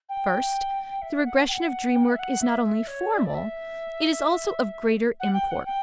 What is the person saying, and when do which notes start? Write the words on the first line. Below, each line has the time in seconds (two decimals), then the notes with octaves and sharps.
First: the regression of dream-work is not only formal, it is also of greater import.
0.09 G5
1.02 E5
1.25 F#5
1.48 G5
1.52 F#5
1.95 G5
2.03 F#5
2.11 E5
2.19 F#5
2.41 E5
2.87 C#5
3.10 D5
3.18 E5
3.25 D5
3.34 E5
5.20 F#5
5.33 G5
5.46 G5
5.51 F#5
5.65 G5